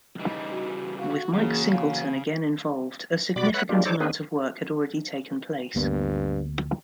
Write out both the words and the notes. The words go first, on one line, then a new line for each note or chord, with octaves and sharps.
With Mike Singleton again involved, a significant amount of work had already taken place.
C#3 E3 G3 D#4
F#4
F#4 F5
C#3 E3 F#3 A#3 G#4
F5
B2 G3 F#4 D5 B5 D6
B4 C#5 E5 F#5 B5 F#6
G3 G#3 A#3 D4 F4 G4
G3 D#4 A4 C5 C#5 D6
A#3 C4 D4 D#4 G#4 B4
D2 G2 A#3 B3